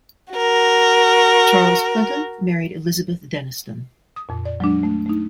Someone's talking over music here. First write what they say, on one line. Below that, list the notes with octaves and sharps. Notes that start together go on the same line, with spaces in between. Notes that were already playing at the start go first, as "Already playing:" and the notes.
Charles Clinton married Elizabeth Denniston.
F#4 A#4
D#6
F2 A#2
D5
F#3 G#3 D4
A3
A3 D#4